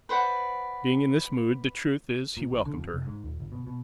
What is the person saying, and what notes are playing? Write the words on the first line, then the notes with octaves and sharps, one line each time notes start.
Being in this mood the truth is he welcomed her.
B4 C5 D5 F#5
A#2
A1
D3
F2
F1
G#2
D#1
G1
B2
B2